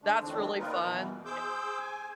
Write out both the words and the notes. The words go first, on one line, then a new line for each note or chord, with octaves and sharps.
that's really fun, eh
C#3 G#3 A3 D4
F2 A2 D#3 C4 D4
A#3 C4 D#4 F4 A#4 B4
B2 E3
G#4 C5 D6 E6 G6
G#5